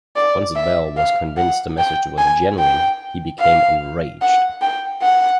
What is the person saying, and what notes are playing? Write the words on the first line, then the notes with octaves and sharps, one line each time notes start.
Once Bell was convinced the message was genuine, he became enraged.
D5
E5
F5
F#5
G5
G#5
G5
F5
F#5
G5
F#5